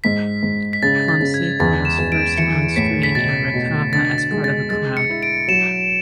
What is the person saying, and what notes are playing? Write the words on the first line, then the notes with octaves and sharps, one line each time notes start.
Fonseka was first on-screen in "Rekava" as part of a crowd.
G#2 B6
G#2
B6
C#3 A6
A6
C#3
G#6
E2 A6
E7
E2
D7
E3 C#7
A2 B6
B6
B2 A6
B2
D3 A6
A6
G#3
A6
G#3 A6
C#7
E4
D7
F#3 E7